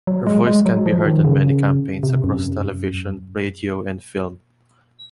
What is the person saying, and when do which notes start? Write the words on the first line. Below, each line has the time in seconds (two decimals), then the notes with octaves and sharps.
Her voice can be heard on many campaigns across television, radio and film.
0.07 F#3
0.27 G#3
0.47 G#3
0.66 F#3
0.86 F3
1.05 D#3
1.25 C#3
2.03 C3
2.24 F#2